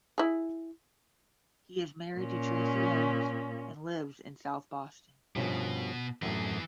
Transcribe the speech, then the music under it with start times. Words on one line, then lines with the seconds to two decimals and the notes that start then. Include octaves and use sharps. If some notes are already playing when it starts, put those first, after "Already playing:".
He is married to Tracee Hynes and lives in South Boston.
0.18 E4 G#4
2.18 A#2 C#4
5.36 G2 B2 F3 C#4
6.22 F#2 A2 E3 G#4